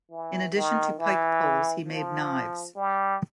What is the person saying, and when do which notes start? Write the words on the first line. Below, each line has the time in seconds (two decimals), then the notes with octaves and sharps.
In addition to pike poles he made knives.
0.10 E3
0.55 D#3
0.99 E3
1.87 F3
2.76 G3